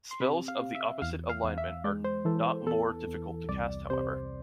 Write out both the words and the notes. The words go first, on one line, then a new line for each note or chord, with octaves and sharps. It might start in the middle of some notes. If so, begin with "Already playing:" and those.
Spells of the opposite alignment are not more difficult to cast however.
C6
C3 B5
F5
C3
E5
E2 F5
F5
E2
E5
G#3 D5
C5
E3 A4
E2 A4
E2
C2 D5
C3 C5